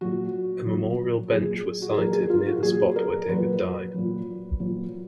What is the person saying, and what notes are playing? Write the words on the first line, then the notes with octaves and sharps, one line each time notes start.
A memorial bench was sited near the spot where David died.
A#2 F#3 F#4
A#2 F#3
A#2 F#3 G#4
F#4
G#4
A#2 F#3 A#4
G#4
F4
F#4
A#2 F#3 G#4
A#4
A#2 F#3 B4
A#2 F#3
A#2 F#3